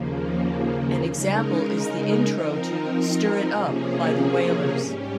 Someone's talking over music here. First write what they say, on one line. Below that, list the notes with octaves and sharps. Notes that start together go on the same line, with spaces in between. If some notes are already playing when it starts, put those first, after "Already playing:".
An example is the intro to "Stir It Up" by The Wailers.
Already playing: D#2 C#3 F3 A#3
C#3 G#3 D#4 A#4
F3 C4 D#4 A#4
C3 F3 A#3 C#4 G#4
G#2 G3 C#4 G4